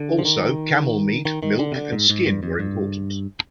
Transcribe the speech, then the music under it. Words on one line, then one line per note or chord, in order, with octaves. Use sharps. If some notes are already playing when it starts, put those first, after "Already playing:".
Also camel meat, milk, and skin were important.
Already playing: D3
F3
D#3
D#3
D#3
D3
C3
D3
G#2
G#2
G2
F2
G2